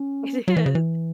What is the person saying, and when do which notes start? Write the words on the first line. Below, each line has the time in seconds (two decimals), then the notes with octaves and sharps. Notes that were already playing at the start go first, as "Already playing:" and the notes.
It is.
Already playing: C#4
0.48 F#3
0.57 E3
0.66 C#3
0.75 E3